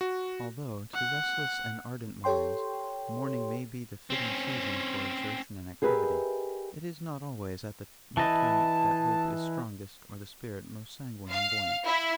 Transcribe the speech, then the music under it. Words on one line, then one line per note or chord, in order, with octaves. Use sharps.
Although, to restless and ardent minds, morning may be the fitting season for exertion and activity, it is not always at that time that hope is strongest or the spirit most sanguine and buoyant.
F#4
F#5
G4 A4 C#5 G5 C6
C4 C#4
G4 G#4 A#4 B4 D#5 E5
E3 E4 D#5 A5
F5
E4